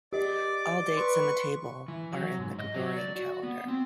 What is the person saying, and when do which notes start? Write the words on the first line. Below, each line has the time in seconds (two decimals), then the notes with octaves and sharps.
All dates in the table are in the Gregorian calendar.
0.13 G4 D5 D#5 D6
0.97 B4 C6 C#6
1.88 E3
2.12 F#3
2.39 G#2
2.59 D#5
2.74 F#3
2.97 D5
3.16 F#4
3.43 B3
3.68 C4